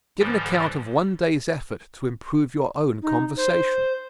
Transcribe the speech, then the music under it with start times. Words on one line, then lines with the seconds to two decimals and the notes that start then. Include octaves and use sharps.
Give an account of one day's effort to improve your own conversation.
0.19 G#2 D3 E3 F3 G3
3.02 D#4
3.37 C5